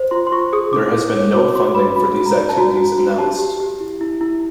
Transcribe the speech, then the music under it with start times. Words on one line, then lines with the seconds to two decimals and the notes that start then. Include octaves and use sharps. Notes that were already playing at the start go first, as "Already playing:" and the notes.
There has been no funding for these activities announced.
Already playing: C5
0.11 F4 C6
0.27 C6
0.32 F4 C#6
0.53 G#4 D#6
0.73 E4 D6
0.93 E4
1.13 C#5
1.34 F#4 D6
1.55 F#4 C6
1.75 B4 B5
1.96 F#4 B5
2.17 F#4
2.26 A#5
2.37 D5
2.49 A5
2.57 F#4 A#5
2.77 F#4
2.98 F#4
3.18 G4 A5
3.39 G4
3.60 G4
3.80 E4
4.01 E4
4.21 E4